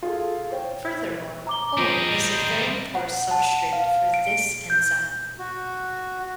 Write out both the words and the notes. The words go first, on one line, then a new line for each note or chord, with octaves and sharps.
Furthermore, O is a very poor substrate for this enzyme.
F4 G#4 A4
C5 C#5 G5
A#5 D6 G7
F3 G3 G#4 C5 D#5 A#5 D7
F#5
A5
F5
D7
G6
F#4